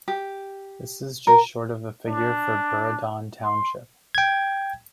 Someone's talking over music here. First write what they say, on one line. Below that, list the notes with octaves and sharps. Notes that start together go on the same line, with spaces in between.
This is just short of the figure for Burradon township.
G4
A#4
D4
C6
G5 G#6